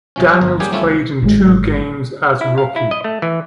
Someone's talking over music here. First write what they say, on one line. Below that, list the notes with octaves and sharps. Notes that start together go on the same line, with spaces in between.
Daniels played in two games as rookie.
F#2 C3 F3 C#4
G3 C#5 F#5
G1 A#4
G3 A#3 C#4 G4 G#4 C#5
G3 A3 C4 C#4 E4 F4
C#2
G#1 A2 G#3
E4
F5
E4
D#5
A3
E3